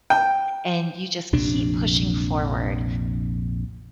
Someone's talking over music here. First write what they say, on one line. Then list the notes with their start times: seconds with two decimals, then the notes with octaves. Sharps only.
and you just keep pushing forward,
0.10 G5
1.33 A#1 F2 C3 D4